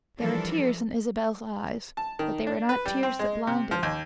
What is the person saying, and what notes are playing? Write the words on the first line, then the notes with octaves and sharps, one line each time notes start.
There were tears in Isabel's eyes, but they were not tears that blinded.
E3 F3 G3 D4 A4 A#4
A5
D#3
D4
B4
G3
C4
G#3
C3
F3
D#2